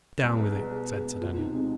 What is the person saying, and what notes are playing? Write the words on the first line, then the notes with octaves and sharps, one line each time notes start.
"Down with it," said Sir Daniel.
C2 B4
B3 G#4
B2 G#4
B3 G#4
B3
G#4
B2
D2 F4
C3 D#4
G#3 C4